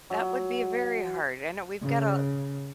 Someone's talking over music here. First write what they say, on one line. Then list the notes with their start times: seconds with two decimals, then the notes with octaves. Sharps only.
that would be very hard. I know we've gotta
0.10 F#3
1.81 C#3